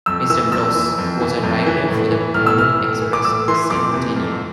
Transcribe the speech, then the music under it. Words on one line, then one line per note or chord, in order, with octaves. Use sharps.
Mr. Bloss was a writer for the Pony Express Centennial.
F2 E6
E3 E6
F2 E6
E3
F2
E3
F2
E3
A2
E3
A2 F6
E6
E3 F6
A2
E3
D6
A2 E6
E3 C6
F2 D6
C3 E3
F2